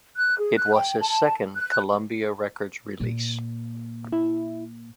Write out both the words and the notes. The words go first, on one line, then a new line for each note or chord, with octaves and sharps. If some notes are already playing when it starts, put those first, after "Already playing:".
It was his second Columbia Records release.
F#6
G#4
F#6
G5
A5
F#6
A#2
E4